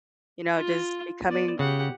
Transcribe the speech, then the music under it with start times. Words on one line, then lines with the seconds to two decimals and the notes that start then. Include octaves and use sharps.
you know just becoming
0.55 F4
1.27 B3 D5
1.59 C#3 G4 F#5